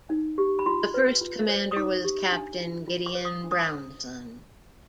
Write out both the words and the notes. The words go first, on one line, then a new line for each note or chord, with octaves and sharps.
The first commander was Captain Gideon Brownson.
D#4
G4
B5
F4 C6
B4
F4
C5
D#6
D#4 D6
G4
D4
F4
F4
D6
C5
D#6
D4
D#6